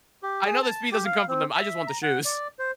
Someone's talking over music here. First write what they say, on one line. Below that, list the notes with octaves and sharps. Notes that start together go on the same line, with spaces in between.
I know the speed doesn't come from them. I just want the shoes.
G4
G#4
A5
G4
F5
C4
E5
A#5
F#5
D5
C5